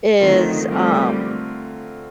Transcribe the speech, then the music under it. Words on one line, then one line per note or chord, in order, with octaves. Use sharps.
is, um
D3 D#3 A3 C4 F4 A#4
D3 G3 A3 C4 F4 A#4